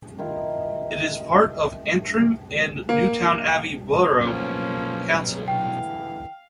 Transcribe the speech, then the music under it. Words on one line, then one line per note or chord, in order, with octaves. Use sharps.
It is part of Antrim and Newtownabbey Borough Council.
D#3 E4 F4
A#3
B1 F3 A#3 C#4
D3 E3 F5 G5